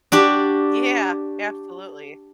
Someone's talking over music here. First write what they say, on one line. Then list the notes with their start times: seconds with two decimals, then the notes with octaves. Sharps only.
Yeah, absolutely.
0.12 D4 F#4 G4